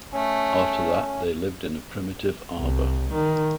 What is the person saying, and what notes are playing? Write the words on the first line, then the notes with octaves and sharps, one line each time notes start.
After that, they lived in a primitive arbor.
A3 C#4
C2
D#3